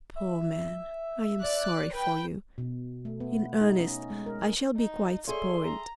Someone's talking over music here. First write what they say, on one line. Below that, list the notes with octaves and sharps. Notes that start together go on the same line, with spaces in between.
Poor man, I am sorry for you; in earnest, I shall be quite spoiled.
E5
D5 F#6
B4 G5
B2
A3
B3
D#4
C#4
G#3
A#4
D#4
G#4 A4 C#5 D5 E5 C6
A#5